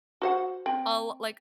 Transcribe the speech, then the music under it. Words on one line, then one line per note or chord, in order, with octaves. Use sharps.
I'll, like
F#4 C5 F#5
C4 G5